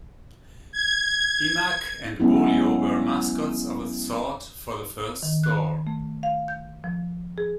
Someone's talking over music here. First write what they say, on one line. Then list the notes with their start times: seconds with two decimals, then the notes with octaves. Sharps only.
Emack and Bolio were mascots of a sort for the first store.
0.72 G#6
2.20 F#3 G#3 B3 C#4 E4
5.23 D#3
5.43 F#6
5.87 A3
6.23 F5
6.48 G6
6.84 F3
7.38 G#4